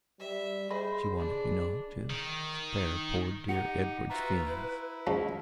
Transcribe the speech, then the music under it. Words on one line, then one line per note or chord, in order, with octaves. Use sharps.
She wanted, you know, to spare poor dear Edward's feelings.
G3 E5
G#4 C5 D#5 B5
D4
D#3
D#4 G4 F#5 C#7
F4 F#4 B4 E5 A#5
E4
F3 G#3 C#4